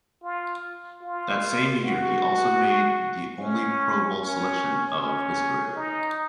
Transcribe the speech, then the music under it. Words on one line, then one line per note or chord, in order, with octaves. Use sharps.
That same year, he also made the only Pro Bowl selection of his career.
F4
F4
F#4
C#4
C#4
C#4
D#4